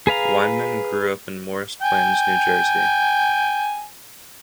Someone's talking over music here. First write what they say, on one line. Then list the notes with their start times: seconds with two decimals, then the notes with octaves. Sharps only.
Weinman grew up in Morris Plains, New Jersey.
0.07 G#4 B4 F5 A#5
1.82 G5 G#5